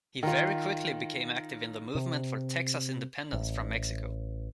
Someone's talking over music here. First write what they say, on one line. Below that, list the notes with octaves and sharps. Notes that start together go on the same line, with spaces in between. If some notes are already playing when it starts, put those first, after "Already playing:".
He very quickly became active in the movement for Texas independence from Mexico.
D#3 F4
C3
A1